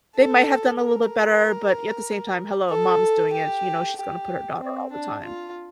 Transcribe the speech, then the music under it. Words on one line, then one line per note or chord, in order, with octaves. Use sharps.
they might have done a little bit better, but, yeah, at the same time, "Hello, mom's doing it." you know, she's gonna put her daughter all the time.
A4
A#4
A4
G4
G4
C4
D4
F4